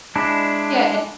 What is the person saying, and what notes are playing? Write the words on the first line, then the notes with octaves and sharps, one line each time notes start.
yeah an
G#3 D4 E4